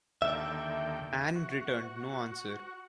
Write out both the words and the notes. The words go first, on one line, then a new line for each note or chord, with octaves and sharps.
Anne returned no answer.
D#2 D3 E5 G5
F#4